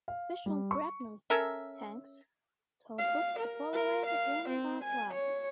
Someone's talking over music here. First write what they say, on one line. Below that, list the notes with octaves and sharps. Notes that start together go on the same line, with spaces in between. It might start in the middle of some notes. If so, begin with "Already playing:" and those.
Special "grapnel tanks" towed hooks to pull away the German barbed wire.
F5
G3
C#6
C#4 A4 A#4 E5
F5
A#4
A#4
F5
C4
G#5
C#5